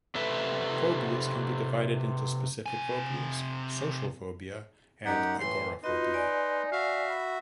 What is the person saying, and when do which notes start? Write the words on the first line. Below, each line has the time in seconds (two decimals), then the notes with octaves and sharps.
Phobias can be divided into specific phobias, social phobia, and agoraphobia.
0.15 C3 A4 B4 E5
2.66 C3 G#5
5.05 F#2 D#4 G4 F#5
5.39 A2 E3 C6
5.84 D#4 F4 F#4 B4 D#5 C6
6.14 D5 G#5
6.72 F#4 E5 F5
7.10 B5